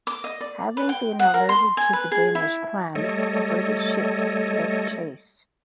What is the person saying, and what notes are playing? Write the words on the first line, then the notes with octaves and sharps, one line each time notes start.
Having been alerted to the Danish plan, the British ships give chase.
D6
D#5
D5
B4
G5
F#5
A#4
C6
G#5
B4
G#4
E4
G3 A3 A4 C#5 D#5